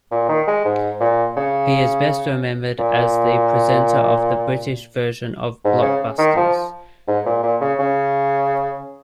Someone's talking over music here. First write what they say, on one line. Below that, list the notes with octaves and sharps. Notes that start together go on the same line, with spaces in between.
He is best remembered as the presenter of the British version of "Blockbusters".
A#2
D#3
G#3
G#2
A#2
C#3
A#2
G#2
C#3
D#3
F3
G#2
A#2
A#2
C#3
C#3